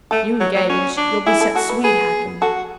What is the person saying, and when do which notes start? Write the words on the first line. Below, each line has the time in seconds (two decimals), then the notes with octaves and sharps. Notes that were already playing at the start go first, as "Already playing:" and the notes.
If you engage, you'll be set swede-hacking.
0.11 A3 A4
0.40 F#3
0.55 F#3
0.69 C#4
0.97 D4
1.26 E4 G#4
1.41 A4
1.55 F#4 A4
1.69 B4
1.84 G#4 B4
2.42 F#4 A4